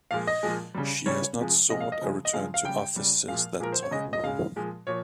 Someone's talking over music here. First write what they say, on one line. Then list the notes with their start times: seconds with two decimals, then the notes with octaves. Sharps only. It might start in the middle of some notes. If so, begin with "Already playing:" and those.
She has not sought a return to office since that time.
0.11 A#2 F3 G#3 F5
0.27 D#5
0.43 A#2 F3 G#3
0.75 C#3 G3
1.06 C#3 G3 C#5
1.38 C3 F3 G#3
1.70 C3 F3 G#3 D#5
1.81 F5
1.92 D#5
2.01 C#3 F3 G#3
2.25 D#5
2.33 C#3 F3 G#3 F5
2.54 F5
2.65 C#3 G3 G5
2.96 C#3 G3
3.28 A#2 F3 G#3 F5
3.60 A#2 F3 G#3 A#4
3.72 C5
3.83 C#5
3.91 C#3 G#3 D#5
4.13 D#5
4.23 C#3 G#3 F5
4.56 A#2 F3 G#3
4.87 A#2 F3 C#5